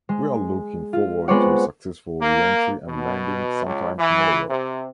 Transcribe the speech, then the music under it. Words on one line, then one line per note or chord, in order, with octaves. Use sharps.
We are looking forward to a successful re-entry and landing sometime tomorrow.
G#3
F4
G#3 B3 C4 C#5 D5 F#5
A#3
B2
C#2
E3
C3